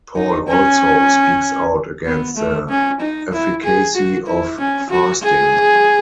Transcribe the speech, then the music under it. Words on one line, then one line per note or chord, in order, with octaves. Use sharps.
Paul also speaks out against the efficacy of fasting.
D#4
C#4
B3
A3
C#4
D#4
E4
G#4
F#4
E4
C#4
F#4
G#4